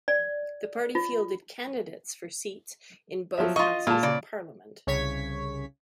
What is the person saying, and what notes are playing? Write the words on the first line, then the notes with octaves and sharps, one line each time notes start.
The party fielded candidates for seats in both houses of Parliament.
D5
F4
F3 F#3 E5
F4 D#5 C6 C#6
A#2 G#3 A5
C#3 D5
C2 C#3 C#5 C#6 G#6 B6